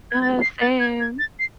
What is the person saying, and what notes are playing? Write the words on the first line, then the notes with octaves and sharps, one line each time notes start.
Uh, same.
G#6
A6
C7
A6
G#6
G#6
A6
C7